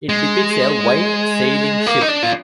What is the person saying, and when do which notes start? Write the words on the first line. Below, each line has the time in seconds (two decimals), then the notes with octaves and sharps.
It depicts a white sailing ship.
0.09 G#3
1.86 A#3
2.01 D#4
2.08 D4
2.23 F4